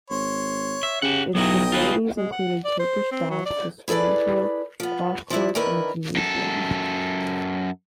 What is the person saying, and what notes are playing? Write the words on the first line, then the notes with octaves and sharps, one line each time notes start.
Its facilities included Turkish baths, a swimming pool, squash courts and a gymnasium.
G#1 C#5 C6
E5
C#3 G4 F#5
B1 F#3 E4 F#4 D#5 G5 D#6
F4 B4
G#3
F#5
D5
C5
C4
F#3
D5
E4 G#4 A4 B4 D5
F3 B3
F3 D4 E4 E5
D#3 D4 E4 A#4 B4
F#2 A4